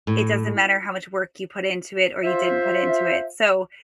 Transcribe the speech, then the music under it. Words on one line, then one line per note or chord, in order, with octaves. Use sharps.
it doesn't matter how much work you put into it or you didn't put into it, so
A2
F4 C5 E5